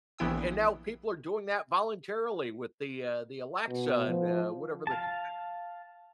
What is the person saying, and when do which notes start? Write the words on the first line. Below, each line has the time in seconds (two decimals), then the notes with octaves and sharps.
and now people are doing that voluntarily with the, uh the Alexa and, uh, whatever the computer
0.18 A#1 E3 B3 E4 G5 D#6
3.68 B2
4.07 F3
4.87 F5 A5